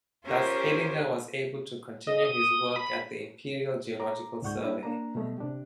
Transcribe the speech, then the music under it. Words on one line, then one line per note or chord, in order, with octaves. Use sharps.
Thus Haidinger was able to continue his work at the Imperial Geological Survey.
C#4 F4 G4 A#4 C5
D#5
D#6
B5
A#5 D6
C#2 G#2 D5 F#5 C#6 G6
G3 A#3 D4 E4 G4
A#3 D4 A#5
B2 F#3 G3 A3 B3
C3 D4 G4